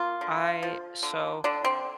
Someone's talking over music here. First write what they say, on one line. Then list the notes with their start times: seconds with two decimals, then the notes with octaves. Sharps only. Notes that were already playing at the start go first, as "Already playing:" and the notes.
I so,
Already playing: A#3 F4
0.21 D3
0.63 F3
1.03 D3
1.44 D3 D4
1.65 C4